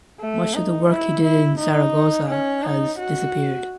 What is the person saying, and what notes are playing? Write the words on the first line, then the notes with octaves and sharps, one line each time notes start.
Much of the work he did in Zaragoza has disappeared.
A3
D#4
E4
E4
D#4
C#4
D#4
F#4